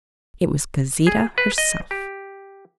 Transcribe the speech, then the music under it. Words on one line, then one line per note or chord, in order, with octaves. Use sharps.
It was Gauzita herself.
G#4
B4
D#5
G4